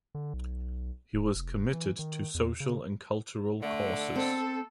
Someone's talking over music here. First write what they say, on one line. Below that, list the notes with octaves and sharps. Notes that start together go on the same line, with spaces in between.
He was committed to social and cultural causes.
D3
B1
D1
F1
E3
D#3
E2
C#3
D3 A3
C4 A4 D#5